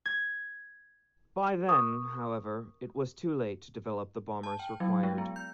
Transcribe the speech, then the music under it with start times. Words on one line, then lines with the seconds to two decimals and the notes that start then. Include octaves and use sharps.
By then, however, it was too late to develop the bombers required.
0.06 G#6
1.68 A#4 C#6 D#6
4.43 A5
4.59 G5
4.80 F#3
5.03 G#3
5.18 B3
5.36 G6